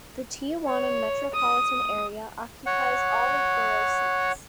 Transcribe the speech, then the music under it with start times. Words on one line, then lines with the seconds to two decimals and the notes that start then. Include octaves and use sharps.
The Tijuana metropolitan area occupies all of borough seats.
0.66 C#5
1.34 D#6
2.66 C#5 F#5